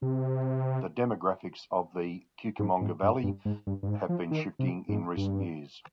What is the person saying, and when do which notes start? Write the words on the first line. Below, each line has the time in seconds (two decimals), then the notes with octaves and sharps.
The demographics of the Cucamonga Valley have been shifting in recent years.
0.02 C3
2.59 G#2
2.81 G#2
3.03 G2
3.23 G2
3.45 G#2
3.67 G2
3.83 G2
3.88 G#2
4.09 F3
4.31 D#3
4.59 C3
4.89 G#2
5.17 G2